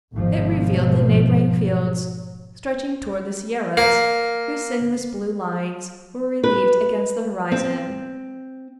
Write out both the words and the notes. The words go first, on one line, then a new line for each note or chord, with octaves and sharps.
It revealed the neighboring fields, stretching toward the sierras, whose sinuous blue lines were relieved against the horizon.
G#1 G#2 B2 F3
A#3
B4
C4